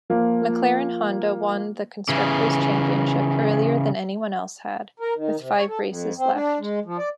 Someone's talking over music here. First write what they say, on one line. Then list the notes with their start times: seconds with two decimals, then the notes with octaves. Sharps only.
McLaren-Honda won the Constructor's Championship earlier than anyone else had, with five races left.
0.10 F3 A#3 F4
2.09 C#3 E3
5.00 A#4
5.15 D#3
5.38 C3
5.56 C#5
5.68 A4
5.84 F2
6.17 C4
6.33 D4
6.59 G#3
6.85 F3
6.98 D5